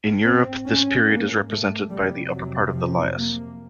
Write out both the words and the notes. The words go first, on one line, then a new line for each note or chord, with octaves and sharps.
In Europe this period is represented by the upper part of the Lias.
G#2 C4
C#4
A#3
A3
F2 C3 G3
F#3
F3
A#3